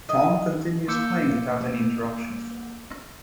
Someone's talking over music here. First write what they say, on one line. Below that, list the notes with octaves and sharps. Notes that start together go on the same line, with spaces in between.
Tom continues playing without any interruptions.
D#5
A#3 D6 E6 G6 C#7